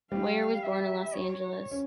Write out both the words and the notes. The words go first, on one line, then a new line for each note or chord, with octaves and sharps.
Moyer was born in Los Angeles.
G3 F5
E5
C#5
C#4